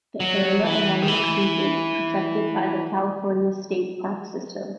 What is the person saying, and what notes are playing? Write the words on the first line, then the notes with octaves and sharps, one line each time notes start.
The area along the creek is protected by the California State Parks system.
F#3
E3
D#3
E3